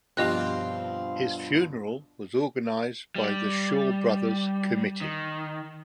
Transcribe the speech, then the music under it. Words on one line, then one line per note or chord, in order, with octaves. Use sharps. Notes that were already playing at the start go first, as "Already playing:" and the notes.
His funeral was organised by the Shaw Brothers committee.
G2 B2 F3 C4 F4 G4 D#5 F#6
G3
D#3